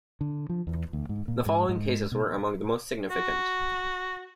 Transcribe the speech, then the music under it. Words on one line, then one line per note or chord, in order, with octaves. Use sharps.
The following cases were among the most significant.
D3
F3
E2
D2
G#2
A#2
G#2
G#2
B2
F#4